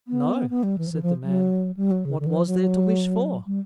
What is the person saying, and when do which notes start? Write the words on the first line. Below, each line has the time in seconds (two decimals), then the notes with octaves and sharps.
"No," said the man; "what was there to wish for?"
0.08 B3
0.50 B3
0.63 G3
0.78 E3
0.87 F3
0.92 E3
1.03 F3
1.24 F#3
1.77 G3
1.91 F#3
2.05 C#3
2.19 D3
2.26 E3
2.33 F3
2.47 F#3
3.47 G3